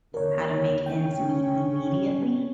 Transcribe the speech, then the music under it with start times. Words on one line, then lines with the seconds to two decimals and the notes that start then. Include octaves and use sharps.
how to make ends meet immediately,
0.14 D#2 D3 A#4 C#5
0.86 C#3 C#4 G5